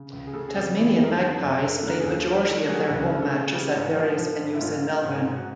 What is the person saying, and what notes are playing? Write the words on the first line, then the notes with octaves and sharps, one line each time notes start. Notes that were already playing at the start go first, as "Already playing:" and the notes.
Tasmanian Magpies play the majority of their home matches at various venues in Melbourne.
Already playing: C#3
C#2
G#4
C#3 A4
G#4
F2
G4
E3 G#4
G4
F2 G#4
A#4
A4
D3
F#2
F#2 A#4
A4
D3 A#4
G#4
D#2 A4
D#3
D#3 A4
F#3 G#4
C#2
C#3
A4
C#3 G#4
C#3 G4
G#2
F3
F3
G#2
E4
G#2 F4
G#2
G#2
G#2
F#4